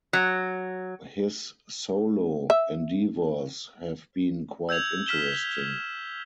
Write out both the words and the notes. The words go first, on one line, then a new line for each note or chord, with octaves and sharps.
His solo endeavors have been quite interesting.
F#3
E5
E6 G6 G#6 F7
F6 B6 E7 G7